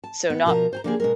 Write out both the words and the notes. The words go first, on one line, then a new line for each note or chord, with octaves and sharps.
So, not
A5
B3
B2 F3 A#4 A5 A#5
C5 G#5 A#5
D3 F3 A#3 B3 G4 G#4
B2 G#3 A#4